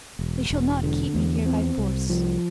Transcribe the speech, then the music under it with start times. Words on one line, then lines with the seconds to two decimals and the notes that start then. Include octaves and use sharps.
They shall not keep me here by force.
0.19 E1
0.50 E1
0.83 D3
1.15 E2
1.46 C4
1.78 C2
2.10 F3